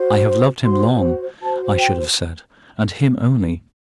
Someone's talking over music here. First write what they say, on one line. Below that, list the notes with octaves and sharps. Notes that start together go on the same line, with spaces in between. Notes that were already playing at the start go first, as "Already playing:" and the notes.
'I have loved him long,' I should have said, 'and him only.
Already playing: F#4 C5
F#4 C5 C6
F#4 C5 A5
G5